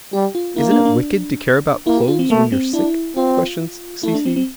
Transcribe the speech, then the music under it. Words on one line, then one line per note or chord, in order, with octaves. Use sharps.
"Isn't it wicked to care about clothes when you're sick?" questioned Cecy.
G3 G4
F4
A#3 E4
D4
D4
A#3 E4
G4
F4
C4
A3 A#3
C4
D4 E4
C4 F4
A3 E4
D4
C4
C4